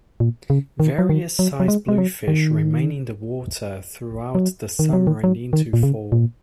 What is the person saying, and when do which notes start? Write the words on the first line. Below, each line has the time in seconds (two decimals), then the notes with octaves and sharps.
Various size bluefish remain in the water throughout the summer and into fall.
0.20 A#2
0.50 C#3
0.80 D#3
0.98 F#3
1.09 D#3
1.39 F#3
1.60 F#3
1.68 G#3
1.88 G#3
1.98 F#3
2.28 D#3
4.35 F#3
4.79 D#3
4.93 F#3
5.07 D#3
5.24 F#3
5.53 D#3
5.73 A#2
5.83 C#3
6.12 A#2